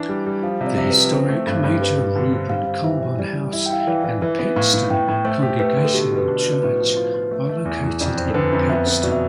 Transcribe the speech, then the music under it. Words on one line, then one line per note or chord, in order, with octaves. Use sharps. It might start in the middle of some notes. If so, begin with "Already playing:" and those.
The historic Major Reuben Colburn House and Pittston Congregational Church are located in Pittston.
Already playing: E3 D4
G3
G3
F3 F5
C3
D5
C3
B4
F3
C4 A4
A3
G2 A4
G2
G3 B4
G3
D3
C4
G3 F5
C4
E3 E5
E3
G3 D5
G3
E4 E5
G5
E4 F5
E5
E3 D5
E3
E3 E5
B3
A2 F5
A2
A2 G5
A2
A3 C5
G4
A3 B4
D3
A4
B2 G4
B2
B4
D4
B4
B2
A2 B4
F3
F4
F4
A3
A3
E2
E2
F2 D5
C4
A4
D3 B4
F2
B3 E5
B3
B2 D5
E5